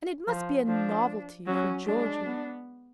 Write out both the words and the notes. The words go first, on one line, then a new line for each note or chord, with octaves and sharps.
And it must be a novelty for Georgey.
F3
F3 D4
F#3 C#4
G#3 D4
B3